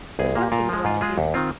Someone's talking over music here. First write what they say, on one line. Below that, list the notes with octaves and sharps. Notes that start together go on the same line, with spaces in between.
"There's one thing you ought to do."
C2 G#4
A#2 A#3
A#2 F4 A#4
F3 G#3
G#2 F4
G#3 F4 G#4
D#2
D#3 C4 F4